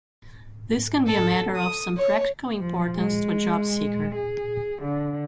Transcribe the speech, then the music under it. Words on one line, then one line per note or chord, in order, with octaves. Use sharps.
This can be a matter of some practical importance to a job-seeker.
A4
D#6
C#5
F3
G#3
G#4
D3